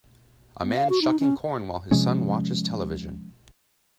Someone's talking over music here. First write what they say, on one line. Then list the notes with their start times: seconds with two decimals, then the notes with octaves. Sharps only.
A man shucking corn while his son watches television.
0.63 B3
0.76 F5
0.90 F#4
1.02 D#4
1.20 C#4
1.91 C3 F3 G#3 C#4